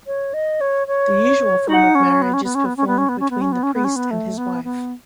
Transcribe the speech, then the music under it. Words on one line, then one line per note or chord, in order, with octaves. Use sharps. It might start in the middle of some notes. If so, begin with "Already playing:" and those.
The usual form of marriage is performed between the priest and his wife.
C#5
D#5
C#5
C#5
D#4
C#4
B3
C#4
B3
C#4
B3
C#4
B3
C#4
B3
C#4
B3
C#4
B3
C#4
B3
C#4
B3
A3
B3
B3